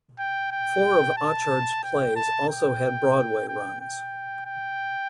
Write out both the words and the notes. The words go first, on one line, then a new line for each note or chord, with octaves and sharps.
Four of Achard's plays also had Broadway runs.
G5
G5
A5
G5
A5
G5
G5
G5
G5